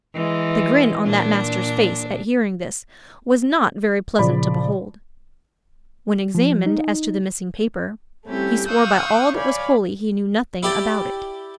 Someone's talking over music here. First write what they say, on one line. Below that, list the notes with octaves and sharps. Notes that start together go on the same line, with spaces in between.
The grin on that master's face at hearing this was not very pleasant to behold. When examined as to the missing paper, he swore by all that was holy he knew nothing about it.
E3 G#3
A#2 D4
A#2 C#3 F3 D5 B5
F3
D#4
G3 A3 C4 C#4 E4 G4
F5 C#6 D#6 E6 F#6 G6
C#5 D5 F5 G#5 B5
E4 G4 D5